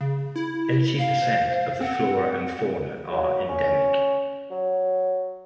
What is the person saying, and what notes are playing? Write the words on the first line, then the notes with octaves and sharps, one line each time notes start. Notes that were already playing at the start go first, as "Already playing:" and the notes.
Eighty percent of the flora and fauna are endemic.
C#3
E4
F5
C5
C4 F#5
F#3
C#4
F#3